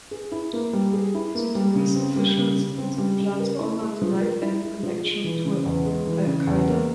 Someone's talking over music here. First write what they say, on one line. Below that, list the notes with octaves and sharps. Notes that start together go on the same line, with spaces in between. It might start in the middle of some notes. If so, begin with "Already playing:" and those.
Sudanese officials and the plant's owner denied any connection to Al Qaeda.
G#4
E4
A#3
G3
G#4
E4
A#3
G3
C#3
C4
G3
C#3
C#3
C4
G3
C#3
A#4
E4
G#3
F3
A#4
E4
G#3
F3
G#3
E3
C#3
E2
G#3
E3
C#3
E2
A#3